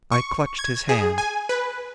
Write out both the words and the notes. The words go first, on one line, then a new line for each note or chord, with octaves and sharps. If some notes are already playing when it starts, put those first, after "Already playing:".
I clutched his hand.
C#6
G#6
G#4
G#5
B4